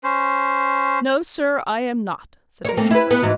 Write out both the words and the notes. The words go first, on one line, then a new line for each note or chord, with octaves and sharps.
"No, sir, I am not," said Major Flint.
C#4 C5
A#4 C#5
A3 A#3 C4
E4 B4
B3
G#2 E3 F#3